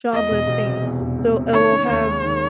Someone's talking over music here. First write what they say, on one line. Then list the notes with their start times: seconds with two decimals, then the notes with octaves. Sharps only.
job listings so it will have
0.12 E2 D#5
0.31 E1
0.47 E1
0.65 C3
0.83 E2
1.01 E1
1.18 E1
1.36 C3
1.53 D#3 C#5
1.71 C#4
1.89 D#2 C#5
2.06 G#3
2.23 D#3